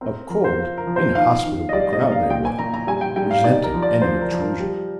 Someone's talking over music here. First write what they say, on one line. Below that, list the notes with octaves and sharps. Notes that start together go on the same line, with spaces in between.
A cold, inhospitable crowd they were, resenting any intrusion.
C4 A#4
F3 A#4
C5
F4
A#4
F3
C5
D#3 F5
D#3
D#5
G3 D5
D#5
A#3
F5
A#2 G5
G#5
A#2 A#5
A#5
G3 G#5
G5
G3 G5
F5
D#4 D5
A#4
F3
D5
F3 C5
A#4
F3
A#4
G3